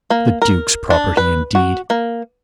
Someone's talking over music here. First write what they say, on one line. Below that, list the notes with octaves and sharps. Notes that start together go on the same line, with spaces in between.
The Duke's property, indeed!
A#3
A#4
D4
B4
F#4
A#3